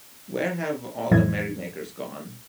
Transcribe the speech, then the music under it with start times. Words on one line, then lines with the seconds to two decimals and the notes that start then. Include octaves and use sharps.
Where Have All the Merrymakers Gone?
1.11 F2 A2 E3 F#3 D#5 G#6